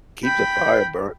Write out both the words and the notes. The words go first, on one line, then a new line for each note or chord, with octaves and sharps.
Keep the fire burn
G5 B5 G6